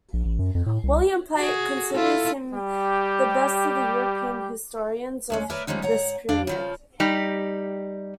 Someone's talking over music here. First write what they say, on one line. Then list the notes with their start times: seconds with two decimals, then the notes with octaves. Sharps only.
William Plate considers him the best of the European historians of this period.
0.13 A#1
0.25 A1
0.39 F#2
0.55 F2
0.66 A2
0.83 C2
1.37 F#4 G#4
1.94 E4 F4 A4
2.54 G3 G4
5.30 D2 G#3 C#4
5.50 A#4 B4 C#5 D5 E5
5.67 F3 G3 G#3 C#4 D#4
5.82 G#2 C#5 F#5 A#5
6.29 F2 D4 F5
6.47 C#3 F3 A4
7.00 G3 D#4 G4